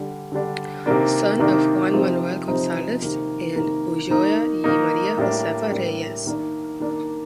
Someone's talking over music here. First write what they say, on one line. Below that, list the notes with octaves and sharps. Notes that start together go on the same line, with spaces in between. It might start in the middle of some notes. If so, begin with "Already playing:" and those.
Son of Juan Manuel González and Ulloa y María Josefa Reyes.
Already playing: D3 G3 D4
D3 G3 D4
C3 D#3 A#3 D4
C3 D#3 A#3 D4
C3 F3 C4 D#4
C3 F3 C4 D#4
C3 D#3 A#3
C3 D#3 A#3
D#3 A#3 D#4
D#3 A#3 D#4
A2 G3 A#3 D4
A2 G3 A#3 D4
D#3 A#3 D4
D#3 A#3 D4